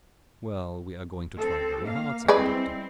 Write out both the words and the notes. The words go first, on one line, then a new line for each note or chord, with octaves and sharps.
"Well, we are going to try very hard," said the Doctor.
C4 A4
A#3 F5
G3 G#3 C4 E4 B4 D5